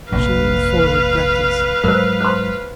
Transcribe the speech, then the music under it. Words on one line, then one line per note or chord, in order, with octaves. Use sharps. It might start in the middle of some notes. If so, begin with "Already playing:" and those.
She leaned forward breathlessly.
F1 A#1 G2 B4 F5
G#2 F#3 A#4 C5
C5 C6